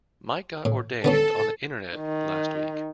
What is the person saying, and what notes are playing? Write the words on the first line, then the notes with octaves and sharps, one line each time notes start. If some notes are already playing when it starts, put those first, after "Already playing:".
Mike got ordained on the internet last week.
A2
D3 B3 C#4 A4
D#3